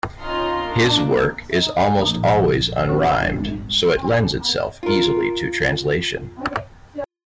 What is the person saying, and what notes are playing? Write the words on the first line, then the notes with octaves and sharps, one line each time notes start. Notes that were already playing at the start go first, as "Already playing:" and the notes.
His work is almost always unrhymed, so lends itself easily to translation.
C#4 D#4 F4 D#5 A#5 C6
A#3 D4
D1 A#1 A#3 D#4
C4 F#4
G#1 F2 D3
C2 G#2
C#3
F4 A#4